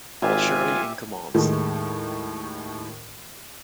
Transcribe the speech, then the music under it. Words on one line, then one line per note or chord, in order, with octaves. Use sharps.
Paul Shirley in command.
G#1 F4 G4 E5 G#5
D#2 A2 D#3 G#3 A3